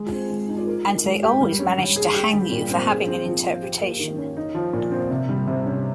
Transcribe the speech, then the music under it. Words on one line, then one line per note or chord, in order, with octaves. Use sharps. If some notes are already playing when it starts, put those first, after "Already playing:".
And they always manage to hang you for having an interpretation.
Already playing: G#3
C4
G#3
D#4
A#4
D#4
G#3
G4
G3
C#4
G3
G#4
G4
G3
A#2
C4
G#4
C4
F3
F4
G4
A#3
D#3
C#4
D#4
F3
A#2
C4
C3
G3
C3
C#4